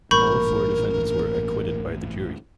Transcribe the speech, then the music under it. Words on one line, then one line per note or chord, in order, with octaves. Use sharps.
All four defendants were acquitted by the jury.
A1 G2 A#2 A#4 B5 C#6 G6